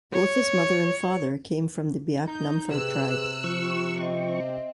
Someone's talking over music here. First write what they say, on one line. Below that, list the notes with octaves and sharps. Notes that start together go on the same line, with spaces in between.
Both his mother and father came from the Biak Numfor tribe.
C#5
D#4 G6
C3 G#4 B4 E6 F#6
F3 F4 C#6
C4 C5 D#5 E5